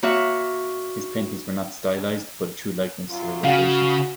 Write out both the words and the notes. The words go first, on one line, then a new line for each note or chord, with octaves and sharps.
His paintings were not stylised but a true likeness to their location.
A#3 F#4 C#5 E5
F#2 F4
C#3 F#4 F5 F#5